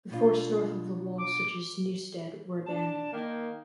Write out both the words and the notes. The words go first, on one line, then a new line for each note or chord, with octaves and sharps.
The forts north of the wall such as Newstead were abandoned.
B2 D4 F4
D6
D4 A5
D#3 A#3